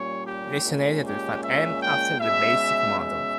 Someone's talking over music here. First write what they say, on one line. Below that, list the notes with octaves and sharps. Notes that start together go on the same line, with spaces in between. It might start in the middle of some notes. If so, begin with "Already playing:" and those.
Designated with an "M" after the basic model.
Already playing: A#2 G3 C#4 C#5
G4
A#2 G#3 C#4
G4
E5
G5
B2 G#3 C#4 E5
E5